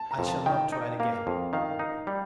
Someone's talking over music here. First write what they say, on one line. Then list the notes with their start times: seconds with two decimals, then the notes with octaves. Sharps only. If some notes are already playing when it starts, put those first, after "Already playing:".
"I shall not try it again," I repeated.
Already playing: A5
0.11 A#5
0.19 F2
0.28 A5
0.46 D#3 G5
0.72 D#4
1.00 A#3 F5
1.27 F2
1.53 D#3 F5
1.79 D#4
2.07 G3